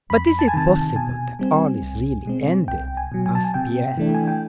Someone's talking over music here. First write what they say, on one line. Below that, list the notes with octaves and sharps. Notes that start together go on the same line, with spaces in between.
"But is it possible that all is really ended?" asked Pierre.
F2 B5
A5
G#5
C3 D#3 A5
A5
B2 G#5
G3 C4
C2
B2 G#3 C4
C2 G5
G#5
B2 F#3
G#5
A5
G#5
C3 G5
E3 A3 D4
G#5
G5